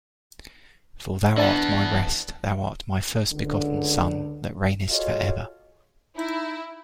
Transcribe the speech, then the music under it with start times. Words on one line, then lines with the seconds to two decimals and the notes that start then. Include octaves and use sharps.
For thou art my rest; thou art my first-begotten Son that reignest for ever.
1.37 E3 B3 D4 A5
3.31 C#2 D3
4.90 F4 F#4 G#4 A4 C#5 D#5
6.17 D#4 E4